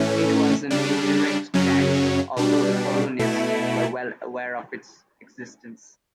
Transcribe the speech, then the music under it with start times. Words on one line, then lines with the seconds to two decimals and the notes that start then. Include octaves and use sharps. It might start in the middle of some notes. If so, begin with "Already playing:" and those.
It was an indirect tax, although the colonists were well aware of its existence.
Already playing: A2 E3 A3 C#4
0.71 C#3 G3 D4
1.54 F#2 C#3 F#3 C#4
2.37 B2 G3 D4
3.19 B2 A3 E4